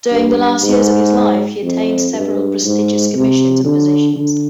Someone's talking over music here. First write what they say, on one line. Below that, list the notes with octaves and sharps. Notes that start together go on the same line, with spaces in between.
During the last years of his life he attained several prestigious commissions and positions.
G2
G#2
F2
G2
G#2
C3
D3
D3